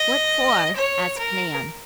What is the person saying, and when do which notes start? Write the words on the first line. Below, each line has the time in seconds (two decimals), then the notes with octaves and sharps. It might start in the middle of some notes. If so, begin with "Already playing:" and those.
"What for?" asked Nan.
Already playing: D#5
0.76 C#5
1.18 A#4